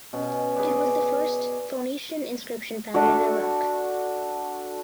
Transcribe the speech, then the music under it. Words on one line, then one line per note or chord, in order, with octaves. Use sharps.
It was the first Phoenician inscription found in Iraq.
B2 C#4
G#4 B4 C#5 D5
A3 D4 F#4